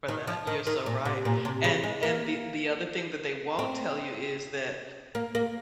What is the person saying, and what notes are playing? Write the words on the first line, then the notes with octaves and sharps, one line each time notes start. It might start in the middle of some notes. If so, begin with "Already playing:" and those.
For that, you're so right. And and the the other thing that they won't tell you is that
D#3
F3
D#3
D#3
A#2
C3
A#2
C3
C#3
G#3
A#3
C4
A#3
A#3